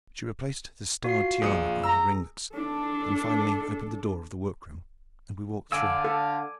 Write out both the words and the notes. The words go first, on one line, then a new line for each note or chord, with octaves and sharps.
She replaced the starred tiara on her ringlets and finally opened the door of the workroom and we walked through.
F4 F#4 C7
A#1 G#4 D#6 C#7
A#5 E6
D4 A4
D3 D5 F5 G#5 E6
A4